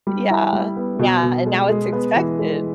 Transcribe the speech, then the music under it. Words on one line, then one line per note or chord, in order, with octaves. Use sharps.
Yeah, yeah, and now it's expected
G3
E4
G3
B3
B2
B2
G#3
G#3
B3
E3
G#3